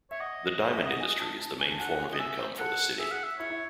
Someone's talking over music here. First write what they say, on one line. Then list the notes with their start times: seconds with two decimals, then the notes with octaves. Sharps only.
The diamond industry is the main form of income for the city.
0.11 C#5 E5
0.20 D#5 F#5
0.76 E5
0.87 F#5
1.00 G#5
1.19 A5
1.39 A5
1.60 G#5
1.70 A5
1.79 F#5 G#5
1.99 G#5
2.13 D#5
2.19 E5 G#5
2.39 C5
2.59 A4 F#5
2.99 G#4 E5
3.12 F#5
3.24 E5
3.39 E4 C#5
3.50 E4